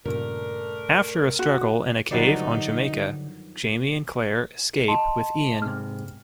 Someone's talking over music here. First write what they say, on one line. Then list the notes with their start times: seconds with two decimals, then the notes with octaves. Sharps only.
After a struggle in a cave on Jamaica, Jamie and Claire escape with Ian.
0.05 G2 A#2 C#3 A3 D4 A#4
1.39 F#4
2.11 G2 D3 D#3 F3 F#3 D#4 F#4 D5
4.88 D#5 A5 C6
5.62 G#2 C3 F6